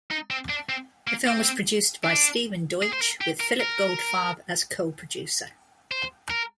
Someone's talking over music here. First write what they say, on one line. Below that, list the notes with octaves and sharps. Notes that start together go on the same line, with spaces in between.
The film was produced by Stephen Deutsch, with Phillip Goldfarb as co-producer.
D#4
C4
D4
C4
A#3
C4
D4
G#4
C5
A#4
G4
A#4
A#4
C5
A#4